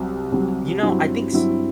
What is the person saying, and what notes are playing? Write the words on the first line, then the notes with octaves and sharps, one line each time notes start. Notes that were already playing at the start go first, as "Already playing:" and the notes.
You know, I think s
Already playing: C2 C3 F#3
C2 C3 F#3
G2 F#3 C4 E4
G2 F#3 C4 E4